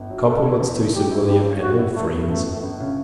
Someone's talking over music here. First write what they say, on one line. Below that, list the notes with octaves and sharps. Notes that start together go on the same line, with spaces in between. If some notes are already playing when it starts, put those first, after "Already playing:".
Compliments to Sir William, and all friends.
Already playing: G1
F#3
B2 A4
E4
E2
A3
F#3 G4
E4
G2 G4
C#4
G3 F#4
E4
A2 A3
B3
F#2 A3
G1
G1
C#3